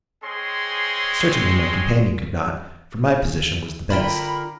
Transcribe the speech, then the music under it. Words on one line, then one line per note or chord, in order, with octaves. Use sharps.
Certainly, my companion could not, for my position was the best.
G#3 C4 G#4 C#5 C6
D3 F4 A#4 G5 B5